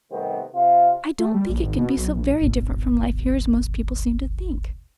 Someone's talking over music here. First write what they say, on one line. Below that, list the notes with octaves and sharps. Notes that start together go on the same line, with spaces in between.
I don't think it can be so very different from life here as most people seem to think.
C3 D#3 G3 A3 B3 C4
C3 F4
A3
G3
A#1
G#1
B2
B1
A#1
D#1 G#1 B2